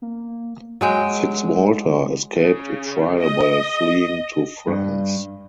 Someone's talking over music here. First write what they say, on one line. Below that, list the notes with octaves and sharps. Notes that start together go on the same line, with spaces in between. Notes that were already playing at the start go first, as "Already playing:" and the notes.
Fitzwalter escaped a trial by fleeing to France.
A#3
F#3 G#3 G5
C#3
D#5
G2